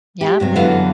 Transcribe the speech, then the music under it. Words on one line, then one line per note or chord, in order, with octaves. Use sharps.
Yeah, and
G4
G2 C3 F#3
F#2 D3 E3 F#3 B3 F5